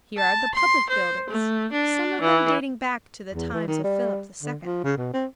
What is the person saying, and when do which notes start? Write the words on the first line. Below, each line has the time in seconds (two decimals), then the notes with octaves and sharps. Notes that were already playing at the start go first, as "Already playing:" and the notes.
Here are the public buildings, some of them dating back to the times of Philip II.
0.17 A5
0.54 C6
0.89 C5
1.29 A3
1.72 D4
2.21 E3
3.33 E2
3.54 E3
3.68 D#3
3.84 G3
4.43 D3
4.63 F3
4.84 C#3
4.97 B2
5.13 C4